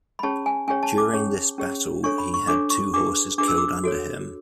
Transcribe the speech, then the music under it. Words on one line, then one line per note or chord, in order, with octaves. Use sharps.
During this battle, he had two horses killed under him.
B5
C#4 G#4 C#5 A5
G#5
C#4 G#4 C#5 G#5
A5
D6
C#4 G#4 C#5
C#4 G#4 C#5
D4 A4 C#5 C#6
B5
C#6
D4 A4 C#5 D6
C#6
D4 G#4 B4 D6
D4 G#4 B4 D6
E6
D6
F#4 A4 C#5